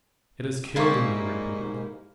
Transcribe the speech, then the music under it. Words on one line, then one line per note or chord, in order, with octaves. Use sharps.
"It has killed him!" he repeated.
G#2 G3 A#3 E4 F5 C6 C#6